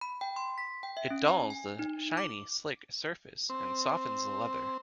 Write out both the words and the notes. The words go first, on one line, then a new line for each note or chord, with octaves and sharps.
It dulls the shiny, slick surface and softens the leather.
B5
G5
C6
B6
G5
E5
C#4
G#5
G#5
D#4
D6
C4